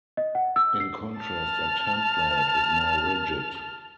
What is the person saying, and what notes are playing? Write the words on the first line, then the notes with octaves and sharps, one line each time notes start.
In contrast, a template is more rigid.
D#5
F#5
E6
C7
A5 F6